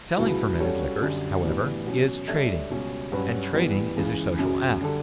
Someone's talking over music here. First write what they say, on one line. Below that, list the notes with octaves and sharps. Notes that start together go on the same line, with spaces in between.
Selling fermented liquors, however, is trading, and trading is a social act.
C#2 B2 F#3 B3 E4
G3 C#4 F#4 A4 C#5
F#2 D3 G3
A2 E3 B3 D4 G4
B2 F#3 C#4
G3 D4 A4 C#5 E5
C#2 B2 G3 C#4
G2 F#3 C#4 F#4 B4
E3 G3 B3
C#2 C#3 E3
F#2 C#3 F#3
D3 G3 D4 A4